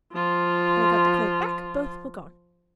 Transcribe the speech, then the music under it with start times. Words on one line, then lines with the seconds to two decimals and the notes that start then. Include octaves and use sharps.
When I got the cloak back both were gone.
0.13 F3 F4